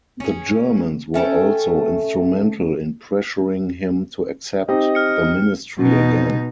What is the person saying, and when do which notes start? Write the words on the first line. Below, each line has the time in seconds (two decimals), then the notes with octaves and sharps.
The Germans were also instrumental in pressuring him to accept the Ministry again.
0.20 C#4 G#4
1.14 A3 C#4 A4 G5
4.68 C4 D#4 G4 D#5
4.95 F6 C#7
5.78 B2 D#4